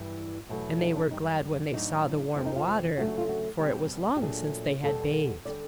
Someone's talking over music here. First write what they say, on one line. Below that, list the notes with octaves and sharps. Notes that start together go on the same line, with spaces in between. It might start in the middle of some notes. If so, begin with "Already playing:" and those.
And they were glad when they saw the warm water, for it was long since they had bathed.
Already playing: G2 E3 G3
E2 B2 F#3 A3
D#4
D4
F#2 D#3 G3 D#4
A2 F#3 B3 D4 D#4
F2 C3 F3 A#3 D4
D#4
F4
D2 C#3 F#3 A3 D4 F#4
F#4
F4
F#4
B2 G3 C4 G4
G4
A#2 F#3 A3 D4 G#4
E2 B2 G3 B3 A4
D3 G3 D5